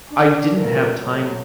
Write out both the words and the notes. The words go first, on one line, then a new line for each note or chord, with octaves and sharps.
I didn't have time
D4
D2 E3 F3 A3 A4 A#4
A2 F#3